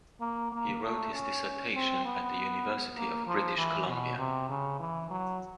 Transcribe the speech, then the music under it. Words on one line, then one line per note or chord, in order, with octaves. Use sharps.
He wrote his dissertation at the University of British Columbia.
A#3
A#3
A3
C#4
C4
B3
A#3
F3
E3
B2
C3
C#3
E3
F#3